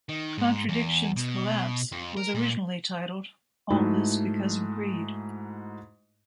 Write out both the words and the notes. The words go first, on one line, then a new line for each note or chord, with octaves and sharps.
"Contradictions Collapse" was originally titled "All This Because of Greed".
D#3
G#2
E2
B2
F2
A#4
A#2
G#2 A3 D#4 E4 F#4